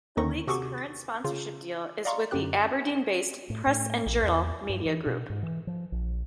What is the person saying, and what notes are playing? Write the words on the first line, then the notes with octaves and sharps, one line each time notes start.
The league's current sponsorship deal is with the Aberdeen-based "Press and Journal" media group.
D#2 D3 D#3 D#4 C#6 A#6
C3 F#4 G#4 A4 C#6 D6
A6
C#3 F4
D5 D#5 F5 A#5 C6 C#6
F#2 D3 G4 F#6
A2
A2
A#1
E2
G2
E3
B2
G#2
E3
F3
A#1